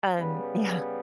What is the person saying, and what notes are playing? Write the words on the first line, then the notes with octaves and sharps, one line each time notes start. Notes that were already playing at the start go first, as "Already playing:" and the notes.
Um, yeah.
C#3 G3 B3 B4